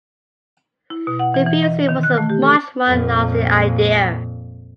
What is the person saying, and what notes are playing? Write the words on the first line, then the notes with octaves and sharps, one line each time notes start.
The fusee was a much more lasting idea.
E4
B2
F#5
E3
E3
D#5
D#3
F#6
A3
G4
A4
F2 A#2